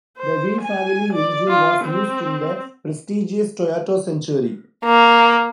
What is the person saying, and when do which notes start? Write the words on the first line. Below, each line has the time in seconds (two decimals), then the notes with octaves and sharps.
The V family engine was used in the prestigious Toyota Century.
0.18 C5
0.62 G#5
1.14 D5
1.48 F4
1.85 C4
4.85 A#3